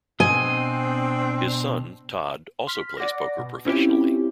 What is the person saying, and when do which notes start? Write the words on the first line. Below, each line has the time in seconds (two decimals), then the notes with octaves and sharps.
His son, Todd, also plays poker professionally.
0.20 B2 C4 D4 D#5 G#5
2.67 C6 F6 B6
2.97 D5 F#5 D6 A#6
3.39 B2
3.65 C4 C#4 E4 F4 G4